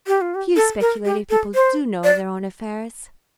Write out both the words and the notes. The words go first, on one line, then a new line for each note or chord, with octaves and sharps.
Few speculative people do know their own affairs.
G4
F4
G4
A4
A#4
G4
A4
C5
D5